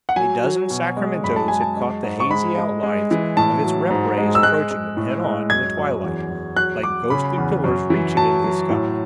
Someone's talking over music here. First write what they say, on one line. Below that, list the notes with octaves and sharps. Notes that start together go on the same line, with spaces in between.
A dozen Sacramentos had caught the hazy outlines of its rep rays approaching them, head-on, in the twilight, like ghostly pillars reaching into the sky.
F#5
F#3 G#5
F#3
B2
G#3
F#2 B5
A5
G#3 G#5
A5
G#3
G#2
C#6
G#3 B5
G#3
G#3
E3
A2 A5
F#3
G#2
G#3
E6
G#3 F#6
G#3
A2
G#3
F#2 G#6
F#2
E2
E2
F#3 F#6
F#3 D6
C#3 B5
E2
F#2
E3
F#3 A5
F#3
A2